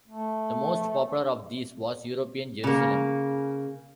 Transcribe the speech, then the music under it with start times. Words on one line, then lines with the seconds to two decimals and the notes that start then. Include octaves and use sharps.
The most popular of these was "European Jerusalem".
0.08 A3
2.63 C#3 A#3